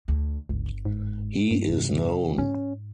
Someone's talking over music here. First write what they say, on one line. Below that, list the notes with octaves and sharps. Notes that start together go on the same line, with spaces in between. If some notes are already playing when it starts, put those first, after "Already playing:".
He is known.
D2
G1 C#2
G#2
G2
C3
G#2 C#4